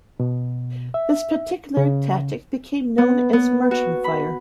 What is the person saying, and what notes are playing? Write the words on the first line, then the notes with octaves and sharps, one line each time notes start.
This particular tactic became known as marching fire.
B2
E5
C#3
B3
B3
F#4
B5